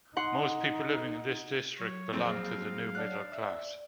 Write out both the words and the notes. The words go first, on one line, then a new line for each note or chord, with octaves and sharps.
Most people living in this district belong to the new middle class.
D#4 F#5 C6
F#3 C#5
F2 A#3 C4 G#4
F5
D4 C#5 F#5 A5 F#6
D5 E5